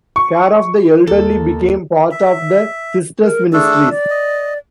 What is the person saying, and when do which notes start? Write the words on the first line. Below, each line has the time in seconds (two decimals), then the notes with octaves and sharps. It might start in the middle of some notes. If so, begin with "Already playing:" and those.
Care of the elderly became part of the sisters' ministries.
0.16 C#6
1.07 D#2 A4
2.11 E5
3.20 A#4
3.53 A3 D4 G#4 A4
3.89 D5
4.10 D#5